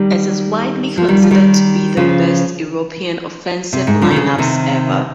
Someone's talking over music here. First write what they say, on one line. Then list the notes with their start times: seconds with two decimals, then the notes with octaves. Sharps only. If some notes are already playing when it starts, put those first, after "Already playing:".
It is widely considered to be the best European offensive lineups ever.
Already playing: D#3 G3
0.97 F3
1.08 D#3 G3
1.22 F3
1.31 D#3 G3
1.97 C#3 F3
3.73 C3
3.87 G#2
4.02 C#3 F3
4.11 D#3
4.16 C#3
4.38 C3 D#3